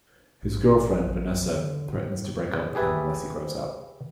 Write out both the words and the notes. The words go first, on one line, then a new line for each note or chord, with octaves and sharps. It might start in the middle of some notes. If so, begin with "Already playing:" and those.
His girlfriend, Vanessa, threatens to break up with him unless he grows up.
A1
A1
D3
A2
G4 G#4 B4 E5 A5